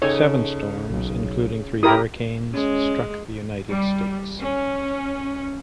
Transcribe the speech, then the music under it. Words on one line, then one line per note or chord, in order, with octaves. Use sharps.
Seven storms, including three hurricanes, struck the United States.
C#3 D#4 A4 C#5
B1
E4 G4 A#4 D#6
G#3 C#4
G3
C#4